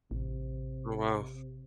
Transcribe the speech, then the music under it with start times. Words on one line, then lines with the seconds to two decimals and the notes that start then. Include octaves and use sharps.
Oh, wow.
0.11 A1 C3